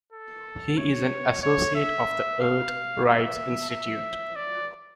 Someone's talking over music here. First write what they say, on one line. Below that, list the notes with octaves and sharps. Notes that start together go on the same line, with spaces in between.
He is an associate of the Earth Rights Institute.
A4
C#5
C#5
E5
F5
E5
E5
D5